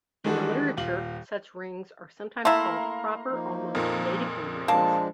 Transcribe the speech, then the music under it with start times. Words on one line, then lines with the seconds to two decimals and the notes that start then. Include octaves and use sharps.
In the literature such rings are sometimes called proper almost Dedekind rings.
0.24 D#3 E3 G3 G#3 D4 F#4
0.77 D#1 F4 F#7
2.45 A3 A#3 E4 F5 A#5 C6
3.29 F3 A#3 D#4
3.75 F2 A#2
4.68 F3 G#3 A#3 D4 A5